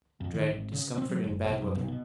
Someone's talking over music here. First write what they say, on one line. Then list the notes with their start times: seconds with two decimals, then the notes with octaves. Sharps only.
I dread discomfort and bad weather.
0.21 F2
0.34 D#3
0.51 G#1
0.73 C#3
0.98 C4
1.09 F#3
1.24 F#1
1.45 B1
1.62 F#2
1.76 B1
1.88 B2